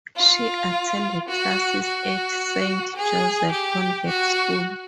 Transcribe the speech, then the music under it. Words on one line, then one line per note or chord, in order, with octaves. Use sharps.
She attended classes at Saint Joseph Convent School.
F4
F#4
F#4
G#4
G4
F#4